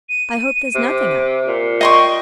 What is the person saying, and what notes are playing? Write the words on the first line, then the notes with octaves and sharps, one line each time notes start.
I hope there's nothing up.
D#7
C3 D6
A#2
D#5 G5 C6 C#6